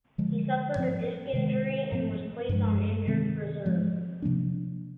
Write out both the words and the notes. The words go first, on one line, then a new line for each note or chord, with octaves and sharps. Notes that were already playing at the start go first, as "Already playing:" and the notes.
He suffered a disc injury and was placed on injured reserve.
D3 F3 G#3
G#2 F3 C4
C3 D#3 G#3
G#2 F3 C4
G2 F3 G#3
C3 D#3 G#3 C4
G#2 F3 G#3 C4
C3 F3 A#3 D4